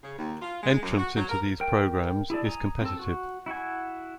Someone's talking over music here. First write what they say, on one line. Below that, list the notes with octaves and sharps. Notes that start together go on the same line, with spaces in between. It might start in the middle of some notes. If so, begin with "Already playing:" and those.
Entrance into these programs is competitive.
C#3
D#2
F4
G#3
F#2
F#4
F#3
A#4
A#4 G5
E4 G#4 A4 D5
G#5 A#5 D#6
C4 A4
F#4
E4 F#4 F#5 G#5